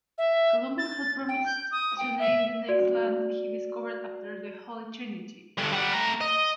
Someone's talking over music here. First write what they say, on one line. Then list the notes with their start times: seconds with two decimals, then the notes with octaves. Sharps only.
Columbus had promised to name the next land he discovered after the "Holy Trinity".
0.18 E5
0.78 A6
1.28 G5
1.46 G6
1.71 D#6
1.98 G5
2.19 E5
2.69 F#4 D5
5.58 G2 D3
5.72 G3 F#5
5.93 A3 A#5
6.21 D#5